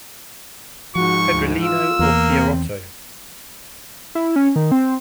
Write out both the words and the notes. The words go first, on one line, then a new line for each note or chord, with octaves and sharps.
Pedrolino or Pierotto.
G#2 F3 F#4 C#6
D2
F4 E6
E2 A#3
C4
E4
C#4
D#3
C4